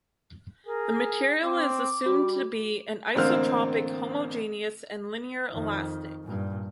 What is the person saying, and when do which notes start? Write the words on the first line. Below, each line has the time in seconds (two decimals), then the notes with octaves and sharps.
The material is assumed to be an isotropic, homogeneous, and linear elastic.
0.67 G#4 A#4
1.44 C4 D6
2.06 G3 F#4
3.15 A1 D3 A#3 C4 C5 F6
5.51 F2 D#3
6.24 G2 A#2